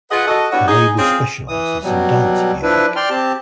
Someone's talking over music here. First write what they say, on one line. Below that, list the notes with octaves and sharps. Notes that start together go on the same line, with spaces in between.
The label specialises in dance music.
F4 G#4 B4 D#5 F#5
F#4 A4 D#5
B3 D4 E4 F#4 G4 C#5
D#4 G#4
C4 C#4 F4 G#4
E3 D#6
B2 F#3 G3
F3 D4 E4 B4
D5 G5 C6 F6
C4 G4 A5